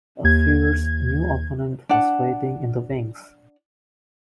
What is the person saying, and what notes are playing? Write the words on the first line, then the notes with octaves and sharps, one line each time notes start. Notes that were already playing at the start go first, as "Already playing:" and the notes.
A fierce new opponent was waiting in the wings.
D#2 G#6
D4 F#5